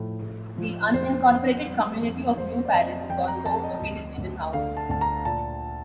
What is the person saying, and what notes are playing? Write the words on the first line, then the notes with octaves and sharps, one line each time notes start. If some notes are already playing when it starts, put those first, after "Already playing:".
The unincorporated community of New Paris is also located in the town.
Already playing: A2 F3
A2
F3
F2 C5
F2
G3
F2
F2 C5
D5
F2 D#5
F2 G5
A#5
F2 A5
D#5
D2
D2
D3 F5
A5
D2 A5
A#5
A#2 A5